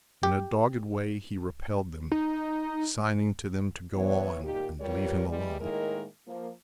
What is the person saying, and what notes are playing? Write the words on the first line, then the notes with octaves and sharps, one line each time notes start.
In a dogged way he repelled them, signing to them to go on and leave him alone.
G4
D#4
E3 B3 C#5
A#2 D#3 G4
G3 F4 G4 A#4 B4 C#5
E3 G3 G#3
A2 D#3 G#3 A#3 E4 A#4
F3 A#3